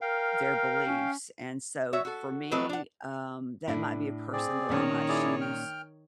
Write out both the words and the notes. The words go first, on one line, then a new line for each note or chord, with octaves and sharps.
their beliefs, and so, for me, um, that might be a person that I might choose
A#4 F5 G5
C#4
F#4 C#5 E5
F#4 A4
F#3 A3 C4 A4 B4 D#5
D4 F#5
A2 D4 E4
C4 G#4 D5
A#2 D#3 C#4 C#5
E4 G#4 D5
G5 F6